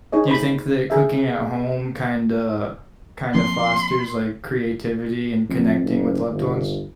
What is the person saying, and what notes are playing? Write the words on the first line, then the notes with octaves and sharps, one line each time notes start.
Do you think that cooking at home kinda kinda fosters like creativity and connecting with loved ones?
D#4 G#4 C#5 D#5
C5 B5
G#4 E5
F3 A#3 C4 C6
F2
F#1
G1